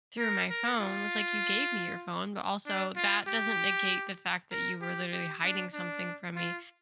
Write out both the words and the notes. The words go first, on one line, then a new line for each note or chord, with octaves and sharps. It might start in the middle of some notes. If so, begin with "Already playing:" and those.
through my phone." I was, like, "You gave me your phone, but also that doesn't negate the fact that you were literally hiding something from me."
A#4
A#4
F4
D4
F4
G4
A#4
G4
G4
D4
D4
F4